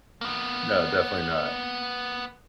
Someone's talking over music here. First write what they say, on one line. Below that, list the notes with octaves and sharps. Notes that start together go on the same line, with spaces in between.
no, definitely not,
A#3 B3